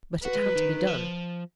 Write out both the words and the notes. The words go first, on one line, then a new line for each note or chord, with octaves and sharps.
But it had to be done.
F#4 B4
G#3
F#3
D#3
F3